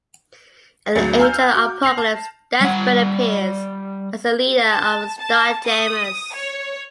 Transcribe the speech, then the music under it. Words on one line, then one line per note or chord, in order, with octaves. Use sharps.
In the Age of Apocalypse, Deathbird appears as the leader of the Starjammers.
G#1 D2 F#3 G#4 A6 C#7
F5 G#5 A#5 E6 F6 G6
F#4 D6
A#6 C7 F7 F#7
A5
G3 F#5
A5
A5
D#6
C#5